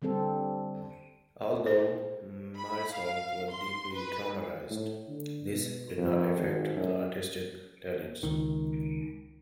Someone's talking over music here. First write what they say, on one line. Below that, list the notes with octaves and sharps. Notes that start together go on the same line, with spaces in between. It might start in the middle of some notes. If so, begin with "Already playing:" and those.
Although Marisol was deeply traumatized, this did not affect her artistic talents.
D3 G3 C4 A4
C5
B5
F5
C6
B4
A2
D3
B2
F2
G#1
F#2
C#2 D#3